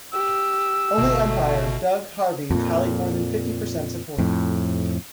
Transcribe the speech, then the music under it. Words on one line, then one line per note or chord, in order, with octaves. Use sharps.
Only umpire Doug Harvey tallied more than fifty percent support.
G4 E6
G1 B2 A3
F2 A#2
F2 A2